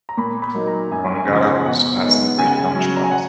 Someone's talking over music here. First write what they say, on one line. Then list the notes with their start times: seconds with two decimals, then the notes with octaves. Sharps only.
Wangara also has some great lunch bars.
0.09 A#5
0.17 A#2 B5
0.42 B5
0.54 F#3 A#3 D#4
0.67 A#5
0.91 F#2 G#5
1.15 G#5
1.28 C#3 F3
1.40 F#5
1.54 G#5
1.65 B2 F#5
2.02 G#3 B3 D#4
2.38 C#3 G#5
2.47 F#5
2.57 G#5
2.75 F#3 C#4
2.96 A#5
3.03 G#5
3.12 F#5